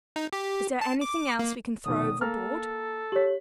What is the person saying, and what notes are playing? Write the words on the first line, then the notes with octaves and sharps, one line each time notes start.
"Is there anything else we can throw overboard?"
D#4
G4
A5
D6
A#3
F1 B2 D#3 D#6
A#3 A4 A#5 F6
G4 C#5 B6 F#7